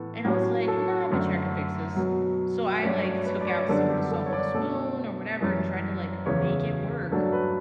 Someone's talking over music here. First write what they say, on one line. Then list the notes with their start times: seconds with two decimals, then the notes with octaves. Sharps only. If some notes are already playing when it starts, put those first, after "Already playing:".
and I was like, "No, I bet you I can fix this." so I, like, took out some of the salt with a spoon or whatever, and tried to, like, make it work,
Already playing: A2 E3 B3 A4
0.25 A2 F#3 A3 C#4 G4
0.68 A4
1.10 F#2 D3 A3
1.96 B2 F#3 B3
2.82 G2 F#3 A3 C#4 D5
3.04 C#5
3.25 B4
3.41 D5
3.47 C#5
3.69 F#2 D3 G3 B3 D4 A4
3.90 G4
4.12 A4
4.26 C#5
4.33 D5
4.54 B2 A3 D4 A4
5.41 F#2 E3 G3 C#4
6.26 E2 C#3 E3 C#5
7.11 G2 F#3 A3 D4 A4
7.33 B4